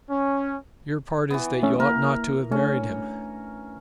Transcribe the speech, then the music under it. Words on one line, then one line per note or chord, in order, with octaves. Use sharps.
Your part is that you ought not to have married him.
C#4
E3 B3
A3 C#4 E5
A#3 A#4
A3 C#4 D4